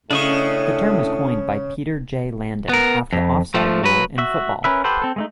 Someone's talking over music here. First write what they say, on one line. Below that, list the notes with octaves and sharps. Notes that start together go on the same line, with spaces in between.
The term was coined by Peter J. Landin, after the offside rule in football.
A2 C#3 D4 D#5 C#6
B3 A#4
F2
F3 A3
F#3 B4
F#4 E5
C#4 A#4 B4 E5
G4 A4 B4 C5 F#5
C4 A4
G#3 A3 D#4